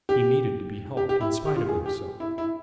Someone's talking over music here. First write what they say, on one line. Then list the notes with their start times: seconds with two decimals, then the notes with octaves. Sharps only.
He needed to be helped in spite of himself.
0.09 G4
0.97 G4
1.09 G4
1.21 E4
1.45 G4
1.56 F4
1.69 G#4
1.86 G4
2.20 E4
2.38 E4